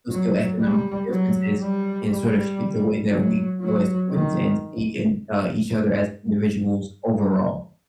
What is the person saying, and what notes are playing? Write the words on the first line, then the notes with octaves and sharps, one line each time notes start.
socioeconomical differences can sort of shape the way that we grow as humans and see in, uh, each other as individuals overall.
F#3
G3
F#3
G3
G3
F#3
F#3
D#3